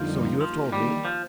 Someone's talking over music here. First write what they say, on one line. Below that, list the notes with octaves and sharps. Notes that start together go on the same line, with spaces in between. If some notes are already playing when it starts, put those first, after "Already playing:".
"So you have told me."
Already playing: F2 D3 F3 G3 A#3 D#4
D#3 F3 A#3 D#4 G4
G3
F3